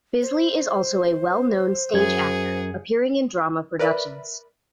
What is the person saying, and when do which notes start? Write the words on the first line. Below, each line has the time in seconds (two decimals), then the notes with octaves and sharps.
Bisley is also a well-known stage actor, appearing in Drama productions.
0.22 C5
1.94 F#2 G#4 F#5 G#6
3.79 A#4 B4 D5 E5 B5